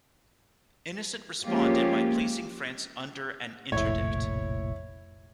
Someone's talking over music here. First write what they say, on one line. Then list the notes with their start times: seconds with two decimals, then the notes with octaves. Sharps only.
Innocent responded by placing France under an interdict.
1.44 F3 G#3 A#3 C#4 F4 G4
3.72 F1 A#1 A2 E4 C#5